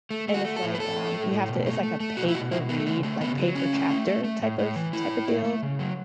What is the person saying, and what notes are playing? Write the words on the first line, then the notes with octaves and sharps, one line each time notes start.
and it's, like, um you have to It's like a pay per read, like, pay per chapter type of typa deal,
A3
A3
F#4
A3
A4
A2
B4
A2 A4
A2
A3
A2
B2
A3
A3
A3
B2 F#4
E4
B2 F#4
B2 E4
A3 B3
C#3 A3
A3
C#3 B3
F#3
C#3 C#4
A3
A3
A3
A3
A2
A2
E3
A2 E4
A2
A2
A3
C#3
F#3